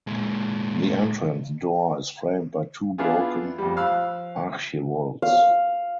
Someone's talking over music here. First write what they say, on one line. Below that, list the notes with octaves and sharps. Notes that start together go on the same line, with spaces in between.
The entrance door is framed by two broken Archivolts.
A#2 G#3
B3 D4 E4 F4 G#4
F2 G3
F3 F5 E6 F#6
F5